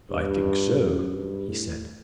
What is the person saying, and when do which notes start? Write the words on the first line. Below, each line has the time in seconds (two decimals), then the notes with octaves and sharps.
"I think so," he said.
0.11 G2
0.79 F#2
1.15 G2
1.49 A2